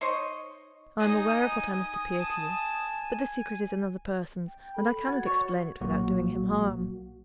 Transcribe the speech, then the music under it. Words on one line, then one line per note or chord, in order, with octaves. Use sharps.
'I am aware of what I must appear to you, but the secret is another person's, and I cannot explain it without doing him harm.'
D#4 C5 C#5 D#5
D#4 G#5 D#6
A5
G5
A4 B5
F#4 F#5 G#6 A6
C#5
B1 A#2 F#3 A#3 F#4